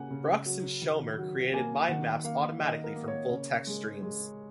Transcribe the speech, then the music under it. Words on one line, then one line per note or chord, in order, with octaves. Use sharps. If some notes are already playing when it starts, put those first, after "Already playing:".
Brucks and Schommer created mind maps automatically from full-text streams.
Already playing: C#3 A#3 F#5 G#5
C#3
F#3
D#3
F#3
A#3 G#5
D#3 F#5
A#3 F5
D#3 D#5
A#4
A#3
C#5
C#3
G#3
G#3